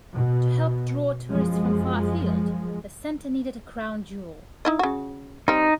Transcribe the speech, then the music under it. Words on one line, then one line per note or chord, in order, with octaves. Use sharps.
To help draw tourists from far afield, the center needed a crown jewel.
B2
F#2 F3 G#3
D#4 E4 D#5
C#3 F#4
G3 C4 D#4